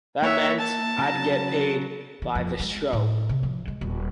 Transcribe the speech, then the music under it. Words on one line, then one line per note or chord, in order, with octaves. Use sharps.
That meant I'd get paid by the show.
A#3 C#5 E5 F#6
A5
C#3 F#3 A#5
E3
F2
G#3
A2
C3
F3
G#3
D#1